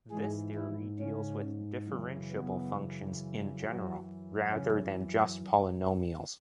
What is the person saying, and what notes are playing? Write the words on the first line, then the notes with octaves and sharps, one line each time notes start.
This theory deals with differentiable functions in general, rather than just polynomials.
G#2 E3 G#3 G#4
E3 E4
C#3 C#4
F#2 C#3 E3
B3
F#2 E3 F#3 F#4
C#3 C#4